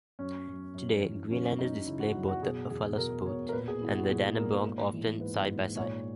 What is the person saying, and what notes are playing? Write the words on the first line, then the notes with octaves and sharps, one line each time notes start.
Today, Greenlanders display both the "Erfalasorput" and the "Dannebrog"-often side-by-side.
F#2 C#4
F#2
F#2
E3
F#2 C#4
F#2 D#4
C#3 E4
F#4
F#2
F#4
B2 G#4
E2 G#4
B2 A#4
B2 C#5
A#4
A#2 B4
G#4
A#2 E4
F#4
A#2 G#4
A#2 A#4
G#2
E3
G#2 B4
G#2
A#2 C#5